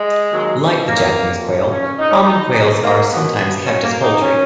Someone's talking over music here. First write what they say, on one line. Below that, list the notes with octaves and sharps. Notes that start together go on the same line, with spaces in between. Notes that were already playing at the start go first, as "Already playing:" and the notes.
Like the Japanese quail, common quails are sometimes kept as poultry.
Already playing: G#3
D#2 D#3 F#3
D#2 D#3 F#3 A#3
G#2 F3
C#4
G#2 F3 D#4
C#4
D#4
D#2 D#3 F#3 G#3
A#3
D#2 D#3 F#3 B3
A#2 F#3 C#4
A#3
D#4
A#2 F#3 C#4